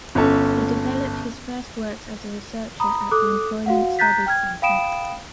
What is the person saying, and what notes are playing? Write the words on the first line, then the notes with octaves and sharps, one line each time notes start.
He developed his first works as a researcher at the Employment Studies Center.
G1 C#4 A4
A#5 B5 D#6
A4 D6 D#6 F#6
F#4 F5 F#5
A#5 F#6 G6 A6 B6
G5 F6 G#6
F5 G5 B5 D#6 D7 E7